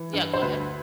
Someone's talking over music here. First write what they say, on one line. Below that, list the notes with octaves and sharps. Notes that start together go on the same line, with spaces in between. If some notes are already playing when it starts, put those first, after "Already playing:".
Yeah, go ahead.
Already playing: E3
G2
C5
D2 B4